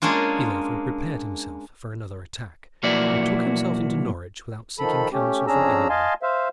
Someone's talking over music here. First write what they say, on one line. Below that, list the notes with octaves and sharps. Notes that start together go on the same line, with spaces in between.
He therefore prepared himself for another attack, and took himself into Norwich without seeking counsel from any one.
G#3 A#3 C#4 D4 F4
B1 F3 A#3 E4 F#4 D5
D#3 F3 A4 B5
A3 C#4 G4
F2 C#4 D4 G#4 A#5 E6
D#5 F5 G#5 A5 C6
C5 E5 F5